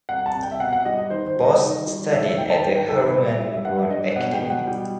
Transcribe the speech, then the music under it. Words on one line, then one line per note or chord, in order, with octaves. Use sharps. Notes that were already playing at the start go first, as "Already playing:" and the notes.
Bos studied at the Herman Brood Academie.
C2 F#5
A5
C2
G5
E5
B2 F#5
F#5
G3 D#5
D#5
D#3 C5
C5
G3
D#5
D#3
G3
D#2 E5
E5
D#2 G5
A5
D#2 G5
G5
D#3 A4
B4
G3 C5
E5
G3 E5
E5
G2 F#5
E5
G2 D#5
D#5
B2 F#5
G5
B2
F#5
G3 G5